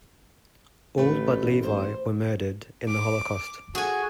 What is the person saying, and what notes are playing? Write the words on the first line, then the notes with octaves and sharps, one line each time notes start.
All but Levie were murdered in the Holocaust.
A1 A3 B4
C5
D6
F#4 G#4 A4 G#5